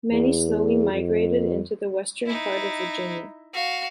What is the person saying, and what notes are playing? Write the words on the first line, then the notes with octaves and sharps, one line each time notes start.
Many slowly migrated into the western part of Virginia.
E2
F2
D#4 E4
F#4 F5